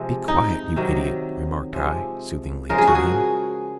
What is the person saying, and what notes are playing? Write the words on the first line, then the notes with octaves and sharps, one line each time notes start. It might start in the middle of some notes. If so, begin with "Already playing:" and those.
"Be quiet, yoo idiot!" remarked I, soothingly, to him.
Already playing: C3 F3 G#3
D#4
C3 D#3 F#3
C3 F3 G#3
C#3 F3 G#3 A#4
G#4
F#4
G#4